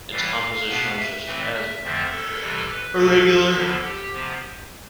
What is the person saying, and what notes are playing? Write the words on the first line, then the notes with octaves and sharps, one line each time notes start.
Its composition was just as irregular.
A2 E3 G3 F5
B2 B3 D4 F5
E5
A2 E3 A3 C4
E5
F2 D3 F3 A3 C4
A4
C3 E3 G3
B4
B2 A3 D4 A4
E2 D3 F3 B3 D4 A4
G4
C3 F3 B3